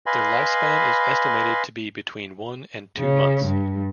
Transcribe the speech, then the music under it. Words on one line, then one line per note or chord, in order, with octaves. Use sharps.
Their lifespan is estimated to be between one and two months.
B4 D#5 F5 G#5 B5 C6
C#3
G2